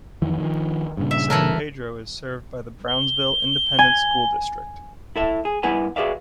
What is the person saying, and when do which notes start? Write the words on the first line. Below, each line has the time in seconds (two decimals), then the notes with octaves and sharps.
San Pedro is served by the Brownsville Independent School District.
0.22 F2 D#3 E3
0.40 D#3 F3
0.97 G2 A#2 C#3
1.11 E5
1.30 E3 A4 A#4
2.88 G7
3.79 G#5
5.16 E4 A4 E5
5.45 G#4
5.63 G2 B3 E4 B4 F#5 G#5
5.96 F#4 G#4 B4 D5 E5 F5